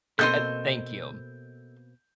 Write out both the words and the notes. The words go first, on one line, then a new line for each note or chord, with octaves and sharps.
eh, uh, thank you.
B2 A#3 C4 A4 D#5 C6 G6